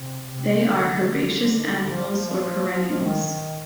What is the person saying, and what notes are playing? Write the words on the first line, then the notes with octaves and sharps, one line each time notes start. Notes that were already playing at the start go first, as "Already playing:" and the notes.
They are herbaceous annuals or perennials.
Already playing: C3
C3
D3
D3
F3
F3
D#3